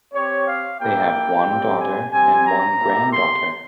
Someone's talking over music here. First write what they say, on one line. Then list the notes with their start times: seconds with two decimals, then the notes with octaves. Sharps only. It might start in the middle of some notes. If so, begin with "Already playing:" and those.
They have one daughter and one granddaughter.
0.13 C4 G4 C#5
0.47 F5
0.80 A#3 E4 G4 G5
1.46 G3 C4 G4
1.79 G#5
2.12 G3 C4 G4 G#5
2.45 A#5
2.78 A#3 E4 G4
3.12 C6